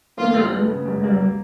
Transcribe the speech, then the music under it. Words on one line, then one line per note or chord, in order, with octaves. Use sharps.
Mhm, mhm.
D#3 F4
G2
B3
C#3
F#2
A#3
A#3